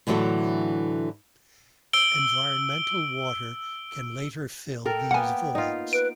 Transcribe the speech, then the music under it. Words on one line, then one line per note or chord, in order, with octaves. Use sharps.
Environmental water can later fill these voids.
A2 D3 E3 F#3 F#4 A4
E6 D7 G7
A4 A#4 G5
A#3 B3 F#5 G#5
D#4 F4
B4 D7